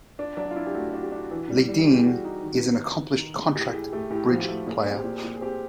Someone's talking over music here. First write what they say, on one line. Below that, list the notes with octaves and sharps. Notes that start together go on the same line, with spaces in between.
Ledeen is an accomplished contract bridge player.
D4 F4
F#3 D4
F4
D4 E4
G4
A3 F#4
D4 F#4
G4
D4 F#4
E3
G3
G3
G#4
E3 G4
G3 F#4
D#4 F#4
D#3
B3
D#4
D#3
D#3
G#3
A2 G4
A2 G#4
A3 G4
A2 G4
F3 F#4
G4
A3
A#2 G#4
C4
G4
A#2
A#2
G#4
C4 G4